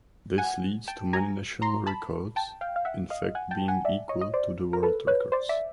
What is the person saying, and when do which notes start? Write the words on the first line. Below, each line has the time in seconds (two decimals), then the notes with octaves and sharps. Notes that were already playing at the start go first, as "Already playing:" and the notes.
This leads to many national records in fact being equal to the world records.
0.38 F#5 G#5
0.88 G5 A5
1.13 G#5 A#5
1.62 A#5 C6
1.87 A5 B5
2.36 G5 A5
2.61 F5 G5
2.76 F5
2.85 E5 F#5
3.10 D#5 F5
3.35 F#5 G#5
3.51 G5 A5
3.68 F#5 G#5
3.85 D5 E5
4.09 C#5 D#5
4.21 D#5
4.34 C5 D5
4.73 A#4
4.83 A4 B4
5.07 B4 C#5
5.32 C5 D5
5.49 D5 E5